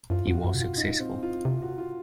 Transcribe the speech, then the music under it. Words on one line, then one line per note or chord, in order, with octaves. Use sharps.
He was successful.
F#2 F4
F2 F#4
F#2 F#4
C3
A#2 F4
C3
A#2 D#4
C4
F4
C3 F4
F#4
F4